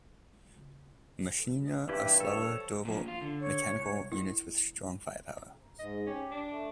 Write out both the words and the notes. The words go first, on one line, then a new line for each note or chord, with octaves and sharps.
Machina are slower, durable mechanical units with strong firepower.
G2 E3 E4 G4
A4 C#5
A#2 F3
F4
D3
C#5
C2
E4
G#2 D#5
C#4 G4
D4
A3